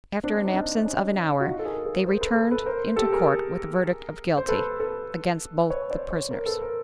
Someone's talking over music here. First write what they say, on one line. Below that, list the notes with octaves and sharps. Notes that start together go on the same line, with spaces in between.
After an absence of an hour, they returned into court with a verdict of "Guilty" against both the prisoners.
C4 D4
D#4
C4 D4
C#4 D#4
F#4
D#4 F4
A4
G#4 A#4
G#4 A#4
A#4 C5
A4 B4
A4 B4
A4 B4
A#4 C5
G4 A4
G#4 A#4
C5
A4 B4
A4 B4
B4 C#5
C5 D5
B4 C#5
A#4 C5
A4 B4
A#4 C5